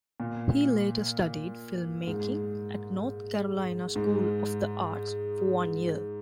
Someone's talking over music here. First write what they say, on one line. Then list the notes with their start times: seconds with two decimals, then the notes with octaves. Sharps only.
He later studied filmmaking at North Carolina School of the Arts for one year.
0.20 A#2
2.07 G#2
3.96 G#2